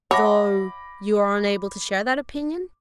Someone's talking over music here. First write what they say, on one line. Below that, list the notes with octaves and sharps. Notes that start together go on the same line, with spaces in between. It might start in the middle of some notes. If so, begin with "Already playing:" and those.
"Though you are unable to share that opinion?"
C#5 E5 F#5 A5 B5 D6 A#6